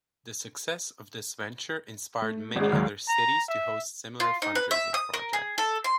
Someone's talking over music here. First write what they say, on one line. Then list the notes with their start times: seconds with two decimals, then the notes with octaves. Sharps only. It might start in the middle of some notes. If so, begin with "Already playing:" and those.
The success of this venture inspired many other cities to host similar fundraising projects.
2.22 A3
2.56 G#1 G#3
2.72 D#2 F#3 G#3
3.08 A#5
3.48 E5
4.20 F4
4.42 D#4
4.55 B4
4.71 E5
4.94 D#6
5.14 A#4
5.33 G#4
5.58 A4
5.84 C6